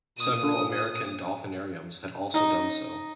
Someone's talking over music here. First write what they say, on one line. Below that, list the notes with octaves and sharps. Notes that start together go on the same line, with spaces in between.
Several American dolphinariums had also done so.
A#2 D#6
D#4